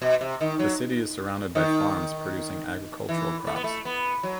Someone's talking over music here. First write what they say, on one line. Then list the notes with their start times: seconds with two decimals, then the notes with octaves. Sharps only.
The city is surrounded by farms producing agricultural crops.
0.02 B2
0.21 C3
0.41 D#3
0.59 F#3
1.55 D#3
3.09 E3
3.47 A3
3.56 B3
3.64 A3
3.85 B3
4.23 F#3